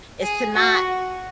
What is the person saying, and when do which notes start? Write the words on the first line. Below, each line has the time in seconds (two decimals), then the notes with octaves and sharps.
is to not,
0.22 G#4
0.54 F#4